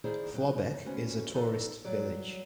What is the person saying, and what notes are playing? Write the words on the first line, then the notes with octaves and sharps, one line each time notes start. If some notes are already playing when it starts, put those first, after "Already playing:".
Flobecq is a tourist village.
D#3 D#4 E4 G#4 C5 D5
B2 F#3 D#4 D5
D2 B3 C#4 F#4 C5
F3 D#4 A4 B4 D5 D#5
F#3 G3 C#5 D5